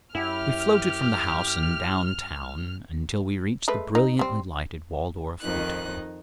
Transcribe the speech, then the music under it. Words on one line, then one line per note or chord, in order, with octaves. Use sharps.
We floated from the house and down town, until we reached the brilliantly lighted Waldorf Hotel.
F#2 E4 G4 F6
G#3 A3 B4
D#4
G3 C4
F2 D#3 D#4 F#6